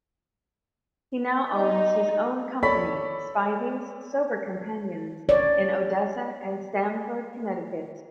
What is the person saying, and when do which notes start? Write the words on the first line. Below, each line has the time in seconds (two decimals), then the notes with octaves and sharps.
He now owns his own company, Spivey's Sober Companions, in Odessa and Stamford, Connecticut.
1.54 D#4
2.63 A4 C#5 D5 B5 C#6 B6
5.29 C#5 D5